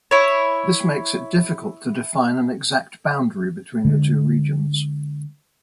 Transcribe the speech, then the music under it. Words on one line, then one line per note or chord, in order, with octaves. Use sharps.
This makes it difficult to define an exact boundary between the two regions.
E4 C#5
D3 G#3